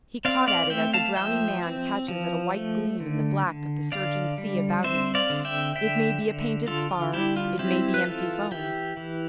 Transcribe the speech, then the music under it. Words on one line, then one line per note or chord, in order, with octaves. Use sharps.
He caught at it as a drowning man catches at a white gleam in the black of the surging sea about him--it may be a painted spar, it may be empty foam.
C4 D5 F5
D5 F5
A3 E5 G5
F5 A5
F3 E5 G5
C4
F3
A3
D3
D3
D3 D5 F5
G3
C4 C5 E5
D5 F5
D3
E5 G5
D3 E5 G5
D3
D3 F4 A4
F4
G3 E4 G4
F4
C4 E4 G4
B4
E3 F4 A4
E3 E4 G4
E3